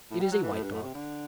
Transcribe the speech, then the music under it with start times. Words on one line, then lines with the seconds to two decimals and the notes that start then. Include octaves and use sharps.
It is a white dog.
0.11 A2
0.21 G3
0.32 F#3
0.43 E3
0.53 A2
0.63 G2
0.74 A2
0.83 C3
0.94 D3